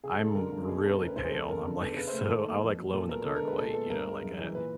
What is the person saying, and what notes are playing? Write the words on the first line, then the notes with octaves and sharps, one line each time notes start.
I'm really pale, I'm, like, so I'm like, glow-in-the-dark white, you know? Like, uh,
C#3 G#4
G#3 A4
D3 A#4
G2
B2 G#4
A4
C#4
A4
D2 A#4
B4
E1 C5
G#4
E2 A4
F#1 A#4
D3 A4
B3 A4
C#3 B4
C5
A3
B4
D#3 A4
A#3
F2
F#3
A#2 A4
B3 A#4
D3 A4
A#4
G#3
B4
A#2 A4
B3 A4
G2 A#4
G#3
F#2
E3
A#2 B4